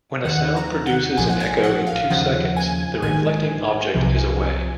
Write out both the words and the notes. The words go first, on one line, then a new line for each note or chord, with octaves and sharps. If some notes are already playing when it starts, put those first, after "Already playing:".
When a sound produces an echo in two seconds, the reflecting object is away.
D#2 D#3 F#5
A#5
F#5
A#1 A#2 F3 G#5
F#5
G#5
F#5
F5
D#2 C#3 F3 F#5
G#5
A#1 G#2 D#3 G#5
C2 C3 F3